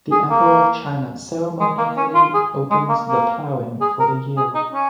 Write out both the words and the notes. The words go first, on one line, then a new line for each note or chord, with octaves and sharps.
The emperor of China ceremonially opens the ploughing for the year.
G#4
A#3
G#3
A#3
C#4
F4
G#4
G#3
A#3
A#3
G#4
A#4
G#4
D#4
C#4